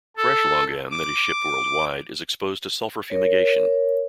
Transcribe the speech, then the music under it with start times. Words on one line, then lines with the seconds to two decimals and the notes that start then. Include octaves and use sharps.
Fresh longan that is shipped worldwide is exposed to sulfur fumigation.
0.17 A4
0.91 D6
3.10 A#4 C#5